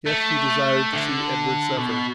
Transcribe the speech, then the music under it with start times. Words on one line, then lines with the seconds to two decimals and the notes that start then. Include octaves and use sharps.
Yes, she desired to see Edward suffer.
0.06 A3
0.93 D3
1.77 B2